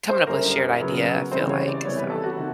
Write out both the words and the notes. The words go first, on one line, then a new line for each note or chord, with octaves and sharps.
coming up with a shared idea, I feel like, so
C5
F#2 D3 G3 A#3 A#4
C#3 F#3 B3
C#3 E3 G3 C4 C5
C#5
D5
C3 E3 G3 B3 C#5
B4
A4
F#4
C3 D#3